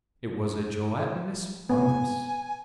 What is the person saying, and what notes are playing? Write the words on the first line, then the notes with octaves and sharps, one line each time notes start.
It was a gelatinous fungus.
B3 G#5